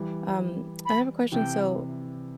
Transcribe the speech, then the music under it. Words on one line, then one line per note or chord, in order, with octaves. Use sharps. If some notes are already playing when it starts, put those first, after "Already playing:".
Um, I have a question. So,
Already playing: E3 G3
B5
C3 E3 G5